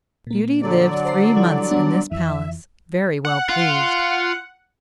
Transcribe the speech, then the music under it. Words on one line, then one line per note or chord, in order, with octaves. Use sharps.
Beauty lived three months in this palace, very well pleased.
A#2 A#3
D3 F#3 D5
C5 A#5 C7
F3 G3 E4
G3 B3 D4
F2 E3 E5
F#5
F4